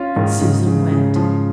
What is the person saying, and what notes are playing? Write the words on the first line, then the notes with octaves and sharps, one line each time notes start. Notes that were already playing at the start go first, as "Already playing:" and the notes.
And Susan went.
Already playing: C#4 F4
G#2 D#3
G#2 C#3
C#3
C#3
F3